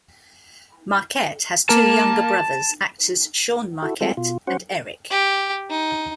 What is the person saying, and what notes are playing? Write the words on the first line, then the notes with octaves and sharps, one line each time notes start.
Marquette has two younger brothers, actors Sean Marquette and Eric.
A#3 A#4 A5
E4 F#4 A4
G3 G#3 C4 F4 A4
B2 F4
C#4 F#4 C5 F#5
G4
D#4